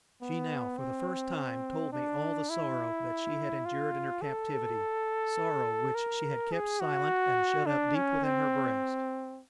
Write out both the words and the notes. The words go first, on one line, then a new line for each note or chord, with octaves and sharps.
She now for the first time told me all the sorrow that she had endured in her captivity--sorrow which she had kept silent and shut up deep within her breast.
B3
C4
D4
E4
F4
A4
A#4
G#4
F#4
D4
C#4
C4